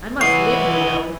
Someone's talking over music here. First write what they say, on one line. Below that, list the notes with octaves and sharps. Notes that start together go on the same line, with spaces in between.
I must live, you know!
E3 C#5 D#5 F#5 C7